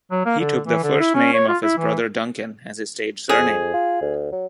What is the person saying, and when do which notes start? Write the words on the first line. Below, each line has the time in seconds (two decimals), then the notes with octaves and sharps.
He took the first name of his brother Duncan as his stage surname.
0.11 F#3
0.26 A#3
0.40 D3
0.66 E3
0.83 D3
1.00 E4
1.15 C#4
1.33 C#5
1.48 F4
1.62 E4
1.78 E3
3.29 F2 G#4
3.74 F4
4.01 D2
4.32 F#3